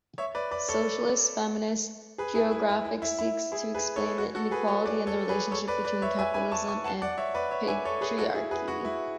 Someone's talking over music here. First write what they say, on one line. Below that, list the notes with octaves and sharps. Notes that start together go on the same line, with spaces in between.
Socialist feminist geography seeks to explain inequality and the relationship between capitalism and patriarchy.
C#5 E5
B4 D5
B4 D5
A4 C#5
G#4 B4
E4 G#4
E4
E4
E4
E4
E4
E4 G#4
G#4 B4
A4 C#5
F#4
F#4 A4
G#4 B4
A4 C#5
B4 D5
A4 C#5
G#4 B4
A4 C#5
B4 D5
B4 D5
C#5 E5
E5 G#5
G#5 B5
A5 C#6
A5 C#6
F#5 A5
D5 F#5
C#5 E5
B4 D5
C#5 E5
E5 G#5
A4 C#5
G#4 B4
F#4 A4
E4 G#4
G#4 B4
F#4
E4